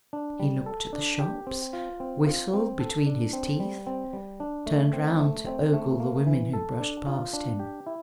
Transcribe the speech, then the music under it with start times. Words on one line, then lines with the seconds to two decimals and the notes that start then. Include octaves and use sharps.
He looked at the shops, whistled between his teeth, turned round to ogle the women who brushed past him.
0.13 D4
0.40 G3
0.66 A4
0.93 D4
1.20 G4
1.47 C4
1.73 F4
2.00 C4
2.26 F4
2.54 C4
2.80 A4
3.06 D4
3.33 C4
3.60 G3
3.87 C4
4.13 G3
4.40 D4
4.66 A3
4.93 C4
5.20 A3
5.46 C4
5.73 A3
6.00 A#3
6.27 E3
6.53 A4
6.80 D4
7.07 F4
7.33 D4
7.60 G4
7.87 E4